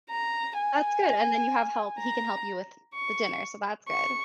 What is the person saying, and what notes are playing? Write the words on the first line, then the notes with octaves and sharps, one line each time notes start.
That's good, and then you have help he can help you with the dinner, so that's good.
A#5
G#5
A#5
C#6
C#6